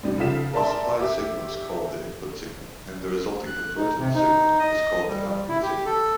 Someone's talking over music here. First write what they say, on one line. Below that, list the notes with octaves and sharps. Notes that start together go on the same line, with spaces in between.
The supplied signal is called the “input signal” and the resulting converted signal is called the “output signal”.
G#1 G3
C#3 F3 A4 F5 B6 E7
G#4 A#4 D5 E5 A5 C6
G4 E5 D6
F#6
D#4
C3
D#4
D#5
G3
E4
G4
A4